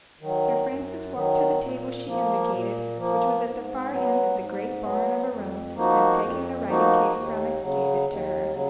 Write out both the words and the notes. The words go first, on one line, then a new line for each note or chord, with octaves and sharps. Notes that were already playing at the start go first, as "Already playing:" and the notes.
Sir Francis walked to the table she indicated, which was at the far end of the great barn of a room, and taking the writing-case from it, gave it to her.
D#3 F#3
F#2
D#3 F#3
A#2
F3 A#3
A#2
F3 A#3
G#2
F#3 B3
G#2
F#3 B3
F2
F3 A#3 D#4 F#4
F2
F3 A#3 D#4 F#4
D#2
C#3 F#3
D#2
C#3 F#3